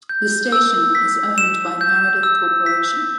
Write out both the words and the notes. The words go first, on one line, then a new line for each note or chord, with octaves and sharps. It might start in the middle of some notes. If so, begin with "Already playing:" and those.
The station is owned by Meredith Corporation.
G6
E6
B6
E7
G6
E6
B6